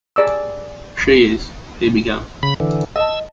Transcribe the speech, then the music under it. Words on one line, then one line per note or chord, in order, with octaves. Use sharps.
"She is -" he began.
G#4 D5 D6 E6
C#3 B5
D3 E3
D#5 A5 E6